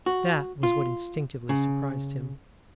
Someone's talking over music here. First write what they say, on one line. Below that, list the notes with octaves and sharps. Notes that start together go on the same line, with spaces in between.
That was what instinctively surprised him.
F#4
F4
C#3